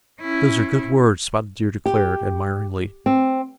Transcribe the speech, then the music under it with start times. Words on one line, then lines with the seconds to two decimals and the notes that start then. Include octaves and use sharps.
"Those are good words," Spotted Deer declared, admiringly.
0.21 C#4 E4
1.86 G4
3.06 C4